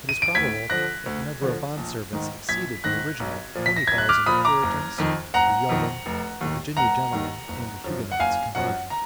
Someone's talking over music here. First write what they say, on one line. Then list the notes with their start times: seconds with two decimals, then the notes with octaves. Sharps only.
It is probable that the number of bond servants exceeded the original twenty thousand Puritans, the yeomen, the Virginia gentlemen, and the Huguenots combined.
0.09 D#7
0.22 D7
0.35 D2 G#6 B6
0.70 D3 F3 F#6 A#6
1.06 D2
1.41 D3 F3
1.77 A#1
2.13 G#2 D#3
2.49 A#1 G#6 B6
2.84 G#2 D#3 F#6 A#6
3.20 B1
3.55 A#2 F3
3.66 B6
3.76 A#6
3.87 B1 G#6
3.98 F#6
4.09 D6 F6
4.26 A#2 F3 B5 D#6
4.45 A#5 D6
4.63 F#1
4.98 F2 D#3
5.34 F#1 F#5 A#5
5.69 F2 D#3
6.06 F1
6.41 D#2 D#3
6.77 F1 F#5 A#5
7.13 D#2 D#3
7.48 F#1
7.84 F#2 F3
8.12 F#5
8.19 F#1 F5 G#5
8.55 F#2 F3 F#5
8.90 A#5